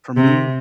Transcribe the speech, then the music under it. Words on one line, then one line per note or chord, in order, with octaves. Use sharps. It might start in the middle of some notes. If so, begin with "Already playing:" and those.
for me,
C3